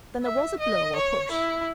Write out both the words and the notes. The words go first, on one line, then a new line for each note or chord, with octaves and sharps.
'Then there was a blow or push?'
E5
D#5
C#5
E4